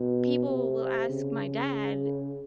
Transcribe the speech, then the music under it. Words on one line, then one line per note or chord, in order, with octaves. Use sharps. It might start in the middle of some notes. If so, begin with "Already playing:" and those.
people will ask my dad
Already playing: B2
C3
C#3